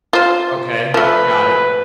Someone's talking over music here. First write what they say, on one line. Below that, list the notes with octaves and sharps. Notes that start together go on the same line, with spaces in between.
Okay, got it.
F4 C5
F3 A3 B4